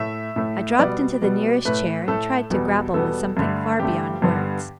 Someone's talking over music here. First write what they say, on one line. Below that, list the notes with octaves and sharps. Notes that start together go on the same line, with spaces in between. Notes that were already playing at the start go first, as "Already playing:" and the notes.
I dropped into the nearest chair and tried to grapple with something far beyond words.
Already playing: A2 A3 E5
A2 A3
B2 G3 B3 D5
B2 G3 B3
A2 A3 B4
A2 A3 A4
E2 B2 G3 B3
E2 B2 G3 B3 A4
G2 D3 A3
G2 D3 A3 G4
G2 D3 G3 B3